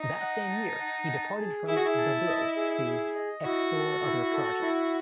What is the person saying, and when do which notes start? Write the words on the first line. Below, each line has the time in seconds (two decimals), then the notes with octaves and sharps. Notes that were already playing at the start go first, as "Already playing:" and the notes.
That same year, he departed from "The Bill" to "explore other projects".
Already playing: D#4 D#5
0.20 F#5
0.49 A5
0.79 F#5
1.09 A5
1.37 G#4
1.67 E4 G#4
1.77 F#4
1.85 E4
1.98 A5
2.26 D#5
2.56 G#4
2.85 G#4
3.15 D#5
3.44 E4 F#4
3.74 A4
4.03 E4
4.33 A4
4.62 E4